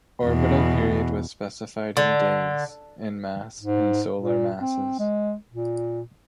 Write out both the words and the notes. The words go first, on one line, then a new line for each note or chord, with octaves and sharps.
Orbital period was specified in days, and mass in Solar masses.
E2 B2
D3
G#2
A#2
C4
G#3
A#2